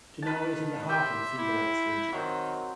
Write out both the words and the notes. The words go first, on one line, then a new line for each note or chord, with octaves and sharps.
Genoa is in the heart of the Finger Lakes region.
D#3 B4 A5
G4 E5 G5 C6
E4
D#3 F#3 C4